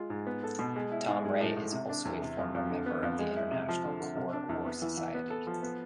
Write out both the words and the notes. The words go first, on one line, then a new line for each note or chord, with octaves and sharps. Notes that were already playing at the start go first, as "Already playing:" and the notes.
Tom Ray is also a former member of the International Core War Society.
Already playing: G#3 F4
G#2
B3
A4
B2
G#3
E4
G#2
G#3
A2
A2
C3
D4
E2
C3
F2
F2
D3
B3
F2
G#3
E4
C3
F3
D3
D3
C3
D4
E2
B3
E3
E3
B3
A4
F3
B3